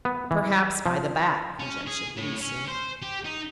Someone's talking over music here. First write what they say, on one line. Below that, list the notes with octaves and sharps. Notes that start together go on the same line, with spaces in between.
"Perhaps by the back," conjectured Lucian.
B3
E3
F3
C#4
G#4
A2
C#4
C5
G4
D#4